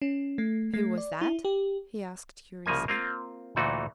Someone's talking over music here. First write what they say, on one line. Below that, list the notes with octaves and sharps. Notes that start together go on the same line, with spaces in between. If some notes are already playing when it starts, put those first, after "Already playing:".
"Who was that?" he asked curiously.
C#4
A3
A3
D5
E4
G4
C2 C#3 F3 A#3 G#5
A#3 C4 F4
D2 A#2 E3 A3 D#4 F#4